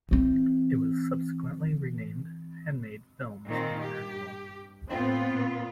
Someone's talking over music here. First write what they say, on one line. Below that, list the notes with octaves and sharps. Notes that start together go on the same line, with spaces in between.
It was subsequently renamed Handmade Films International.
E3 C4
A#2 D#3 C4
G2 G4
A2 B3 C4 F4
A#2